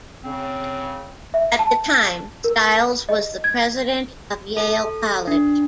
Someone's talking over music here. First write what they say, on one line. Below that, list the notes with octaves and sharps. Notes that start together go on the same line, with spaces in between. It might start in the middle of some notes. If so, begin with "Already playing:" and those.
At the time, Stiles was the President of Yale College.
C#3 C4
E5
A5
A#4
D#5
G#6
A4
D4